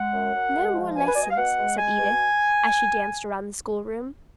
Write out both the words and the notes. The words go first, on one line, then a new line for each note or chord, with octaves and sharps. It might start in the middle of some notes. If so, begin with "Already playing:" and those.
"No more lessons," said Edith, as she danced around the schoolroom.
Already playing: G#3 F#5
F#2
F#2
G#3
F3
B2 G#5
B4
B2 D5
D#5
F5
B2 F#5
G#3
G#3 G#5
B2